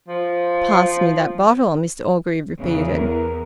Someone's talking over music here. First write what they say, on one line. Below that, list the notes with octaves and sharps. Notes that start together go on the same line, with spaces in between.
"Pass me that bottle," Mr Orgreave repeated.
F3
E2 C#3
A#4